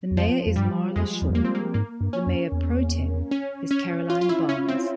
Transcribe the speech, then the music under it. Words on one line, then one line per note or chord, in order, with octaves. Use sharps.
The mayor is Marla Shaw, the mayor pro tem is Caroline Barnes.
E2
F2 F3
F2
G2 G3
F2 G#3
E2
F2
E2 A#3
C4
A#3
G#2 A#3
G2
C#4
F2
E2
C#4
C#4
F4
F4
E4
C#4
C4